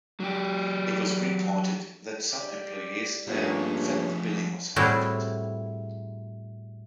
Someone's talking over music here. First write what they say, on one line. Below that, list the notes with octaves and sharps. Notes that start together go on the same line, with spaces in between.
It was reported that some employees there felt the building was haunted.
F#3 G4
G4 D5
G2 F3 A3 A#3 C#4 G#4 C#5
A2 G3 C4 E4 F#4 G#4